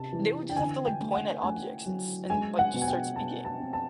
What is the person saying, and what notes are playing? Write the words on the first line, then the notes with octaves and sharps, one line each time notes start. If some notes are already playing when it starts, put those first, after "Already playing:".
they would just have to, like, point at objects and s and, like, just start speaking.
Already playing: C3 A5
E3
G5
D3 G#5
G5
A3
F#5
A3 G#5
F#3
G#3 G#5
F#5
B2
G#5
G5
B2 A5
A5
C4
A5